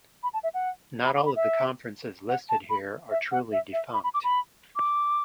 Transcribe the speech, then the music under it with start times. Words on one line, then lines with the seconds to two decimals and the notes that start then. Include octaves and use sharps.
Not all of the conferences listed here are truly defunct.
0.23 B5
0.33 A5
0.43 E5
0.54 F#5
1.06 B5
1.16 D6
1.26 B5
1.36 E5
2.29 F#5
2.49 A5
2.70 B5
3.11 E5
3.32 F#5
3.52 E5
3.73 E5
3.94 B5
4.04 B5
4.14 D6
4.24 B5
4.76 D6